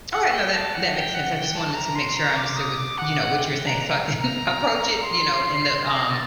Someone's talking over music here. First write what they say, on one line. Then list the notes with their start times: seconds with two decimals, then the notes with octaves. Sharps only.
Alright, no, that that makes sense. I just wanted to make sure I understood what you know, what you're saying so I can approach it in the, um,
0.11 F#5
0.32 G5
0.53 A5
0.73 F#5
0.93 G5
1.14 F#5
1.34 G5
1.54 A5
1.74 A#5
1.95 C6
2.16 A#5
2.36 D6
2.56 D#6
2.77 D6
2.97 F#5
3.18 F#5
3.38 G5
3.65 A#5
4.20 A#5
5.01 C6
5.83 A#6
6.11 A6